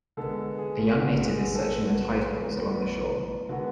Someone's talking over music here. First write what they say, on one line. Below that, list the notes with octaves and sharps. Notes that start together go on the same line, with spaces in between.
A young native is searching the tide pools along the shore.
D3 G#3 B3 A4
G#4
F4
D3 G#3 B3 F#4
F#4
G#4
A4
A2 F#3 B3 F#4
A2 F#3 B3
D3 G#3 B3 F#4